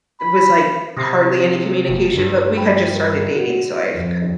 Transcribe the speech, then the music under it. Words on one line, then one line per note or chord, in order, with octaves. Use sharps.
was, like, hardly any communication, but we had just started dating, so I've cou
B5
C3 D#6 A#6
F#1
G2
G5 B5
A#4
F#4
F2